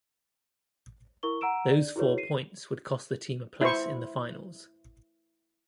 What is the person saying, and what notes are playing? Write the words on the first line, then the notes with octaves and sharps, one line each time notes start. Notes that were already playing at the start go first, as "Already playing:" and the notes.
Those four points would cost the team a place in the finals.
E4 A#4 C#6 G7
F#5 A#5 E6 D7 E7
D5
E4 F#4 G#4 B4 C#5
C7 D#7
E4 C5 C#6